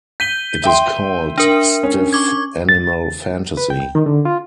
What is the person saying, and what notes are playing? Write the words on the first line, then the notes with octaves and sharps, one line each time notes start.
It is called "Stiff Animal Fantasy".
G6 B6 D#7 G7
E5 G5 C6
D4 A#4
C#4
C#6 D6 G#6
A6
B4
G5
D#3
D3
F4